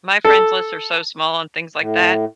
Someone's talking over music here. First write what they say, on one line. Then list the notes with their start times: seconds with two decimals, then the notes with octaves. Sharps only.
My friends lists are so small on things like that,
0.25 A4
1.78 A2